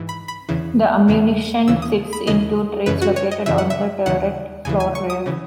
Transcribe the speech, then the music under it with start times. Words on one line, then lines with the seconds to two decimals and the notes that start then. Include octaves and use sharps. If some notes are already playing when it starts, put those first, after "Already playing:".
The ammunition sits in two trays located on the turret floor rear.
Already playing: G#2 E3
0.09 B5
0.28 B5
0.49 E2 C#3 E3
1.08 E2 C#3 E3
1.68 D#2 C#3 E3 E6
1.82 D#6
2.13 B5
2.27 D#2 C#3 E3 D#5
2.86 F#2 C#3 E3 B4
3.02 F#4
3.16 C#5
3.31 D#5
3.46 F#2 C#3 E3 E5
3.58 F#5
3.70 E5
4.06 D#2 C#3 E3 F#5
4.65 D#2 C#3 E3 G#5
4.80 G#5
4.95 C#6
5.10 D#6
5.26 C#3 E3